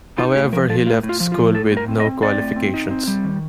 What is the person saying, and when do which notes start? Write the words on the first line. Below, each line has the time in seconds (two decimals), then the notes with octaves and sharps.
However, he left school with no qualifications.
0.18 D#4 F4
0.35 A2 G4
0.53 F3 A#4
0.69 F3 A4
0.86 A2 F4
1.03 A2
1.09 F4
1.20 F3
1.32 F4
1.38 F3
1.54 A2 A4
1.72 A2
1.77 A#4
1.88 C4
2.00 D#5
2.05 C4
2.22 C4 D5
2.39 A2
2.56 C4
2.74 D#4
2.91 C4
3.07 G3
3.24 D#3